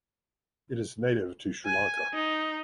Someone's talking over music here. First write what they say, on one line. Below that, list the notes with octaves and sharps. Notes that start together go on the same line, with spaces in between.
It is native to Sri Lanka.
G#5
D#4